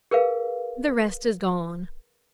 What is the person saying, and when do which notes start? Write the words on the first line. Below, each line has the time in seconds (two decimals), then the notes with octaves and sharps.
The rest is gone.
0.11 G#4 A#4 B4 F5